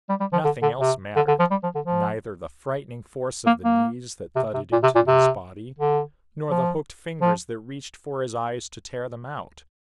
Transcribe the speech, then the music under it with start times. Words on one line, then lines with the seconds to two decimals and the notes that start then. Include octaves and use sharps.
Nothing else mattered--neither the frightening force of the knees that thudded into his body nor the hooked fingers that reached for his eyes to tear them out.
0.10 G3
0.20 G3
0.33 F3
0.45 D3
0.63 D3
0.81 C3
1.17 D3
1.28 D3
1.40 F3
1.51 G3
1.64 F3
1.75 D3
1.87 F3
3.47 A#3
3.65 A#3
4.36 C3
4.54 C3
4.72 A#2
4.83 C3
4.95 A#2
5.08 C3
5.79 D3
6.51 F3
7.21 F3